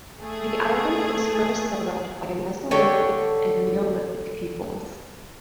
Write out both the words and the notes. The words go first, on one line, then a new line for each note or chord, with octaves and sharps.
The island was first settled by Mesolithic and Neolithic peoples.
A3 G#4
D3 G4 A4 C#5